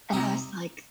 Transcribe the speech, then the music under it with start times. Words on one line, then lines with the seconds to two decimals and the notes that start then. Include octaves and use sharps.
and I was like
0.12 C3 G3 C4 D#4